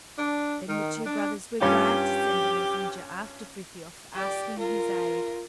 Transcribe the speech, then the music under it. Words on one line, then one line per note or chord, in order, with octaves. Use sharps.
Then the two brothers were glad to send a messenger after Frithiof, asking his aid.
D4
D#3
D4
G2 C#4 F4 G4
G4 D5
F4 A#4